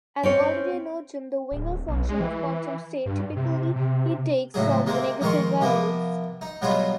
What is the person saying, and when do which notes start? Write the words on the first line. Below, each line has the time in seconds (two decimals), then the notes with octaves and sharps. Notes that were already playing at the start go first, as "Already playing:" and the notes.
As already noted, the Wigner function of quantum state typically takes some negative values.
0.23 C4 C#4 C#5
1.51 D1
1.87 B1
2.09 G#3
2.20 E3
3.06 G2
3.36 C3
3.76 C3
4.54 C#2 A2 F#3 G#4
4.86 C3 G#3 A#3 C4
5.21 F2 D#3 G#3 A#4 C6 C#6
5.61 C3 F3 A#3 B3
6.41 D#4
6.62 B2 F#3 G3 B3 F4 G#4